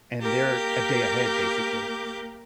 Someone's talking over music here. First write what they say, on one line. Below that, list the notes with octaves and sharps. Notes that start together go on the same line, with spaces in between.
and they're a day ahead, basically,
A#3 G4 A#4 D6 G6